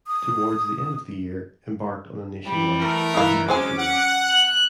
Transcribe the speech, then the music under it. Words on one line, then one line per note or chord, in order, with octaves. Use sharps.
Towards the end of the year, embarked on a nationwide cathedral tour.
D#6
E3 G3
A3 A#4
G2 E3 D#4 F5
F#3 G#3 C#4 C5 G#5 D6
F#5
F#6